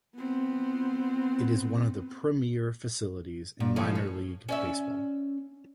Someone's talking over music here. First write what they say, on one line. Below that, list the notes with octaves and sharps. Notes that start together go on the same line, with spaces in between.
It is one of the premier facilities in minor league baseball.
B3 C4
A#2
A2 F3 C#4
C#5
C#4 D5 E5